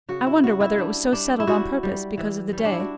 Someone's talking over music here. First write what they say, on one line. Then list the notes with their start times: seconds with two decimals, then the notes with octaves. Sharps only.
I wonder whether it was so settled on purpose, because of the day.
0.09 C#3 F#4
0.27 E4
0.44 C#3 F#4
0.61 E4
0.78 G3 D4
1.13 G3 D4
1.40 E4
1.47 G3 F#4
1.83 G3
2.18 E3
2.53 G3
2.58 C#4
2.65 D4
2.72 E4
2.80 F#4